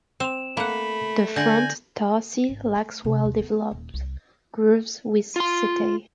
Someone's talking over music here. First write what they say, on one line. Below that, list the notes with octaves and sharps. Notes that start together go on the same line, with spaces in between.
The front tarsi lacks well developed grooves with setae.
C4 E7 F7
A3 A#3 F#5 B5
D3 G#5 G6 A#6 F#7
G#1
A3
C3
D#2
B3
D#1
C2
F4 C6